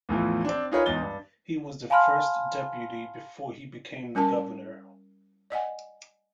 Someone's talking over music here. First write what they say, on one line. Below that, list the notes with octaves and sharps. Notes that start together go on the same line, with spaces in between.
He was the first deputy before he became the governor.
E2 A2 E3 F3
C4 D4
D#4 F4 G#4 A#4 B4 C#5
E2 G#2 G#3 A6 G7
G2
F5 G#5 A5 B5 C6 F6
G3 C#4 A#4 A5
D5 D#5 F#5 G#5